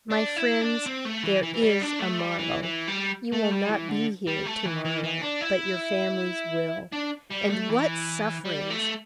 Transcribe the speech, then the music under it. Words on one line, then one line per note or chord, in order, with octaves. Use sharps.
My friends, there is a morrow; you will not be here to-morrow, but your families will; and what sufferings!
D4
E4
D4
C4
A3
E3
E3
E3
G3
D4
A3
G3
E3
E3
G3
A3
G3
E3
D3
G3
A3
E3
E3
E3
D4
E4
D4
G3
A3
E3
G3
A3